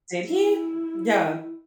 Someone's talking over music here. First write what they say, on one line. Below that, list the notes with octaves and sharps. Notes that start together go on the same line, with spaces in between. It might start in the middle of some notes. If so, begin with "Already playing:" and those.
Did he? Yeah.
E4